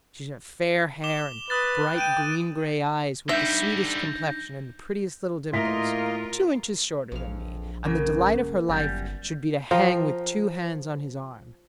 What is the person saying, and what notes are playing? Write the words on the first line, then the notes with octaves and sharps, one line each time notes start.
She should have fair hair, and bright green-gray eyes, with the sweetest complexion, and the prettiest little dimples;--two inches shorter than me, and the delight of her life should be to hang with two hands on his arm.
D6 E7 G7
B4 D#6 F#6 A6
G5 F#6 D7 D#7
D3 G3 D4 D#4 E5 G6 A#6
A2 A#3 F4 A#4 D#5 E5 C6 B6
A#1 F2 E3 F5
F#2 C#3 A#3 A#4
G1 F#2 G3
F3 A#4 G5